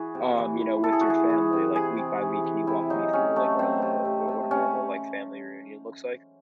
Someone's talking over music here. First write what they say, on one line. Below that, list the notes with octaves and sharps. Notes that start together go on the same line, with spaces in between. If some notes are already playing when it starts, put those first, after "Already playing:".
um, you know, with your family, like, week by week? Can you walk me through, like, what a look a what what a normal, like, family reunion looks like?
Already playing: E3 F#4 G#4
C3
E3
E3
E3 A4
G#4
F#4
E3 G#4
E3
C3
C3 G#4
C3
E3
E3
C3 E4
F#3 D#4
C3 C#4
F#3 A3
F#3 C4
C3
C3
C3
C3 C#4